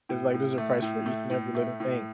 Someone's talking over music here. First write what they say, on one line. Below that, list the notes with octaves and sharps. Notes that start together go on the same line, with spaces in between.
It's like there's a price for each and every little thing.
A2
A2
A3
A2
A3
A2
A3
A2